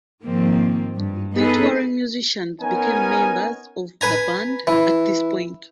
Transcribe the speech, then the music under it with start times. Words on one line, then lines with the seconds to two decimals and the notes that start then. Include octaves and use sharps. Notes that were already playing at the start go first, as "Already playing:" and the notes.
The touring musicians became members of the band at this point.
0.23 G#2 D#3 F3 A#3 C4
0.95 G2
1.35 B3 D#4 G#4 A4 B4
2.61 B3 C#4 D#4 A#4 G#5
4.01 B4 G#5 A#5
4.67 E3